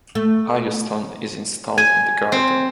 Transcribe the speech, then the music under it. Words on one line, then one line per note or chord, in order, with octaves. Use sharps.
Iyo Stone is installed in the garden.
A3
G#5
C4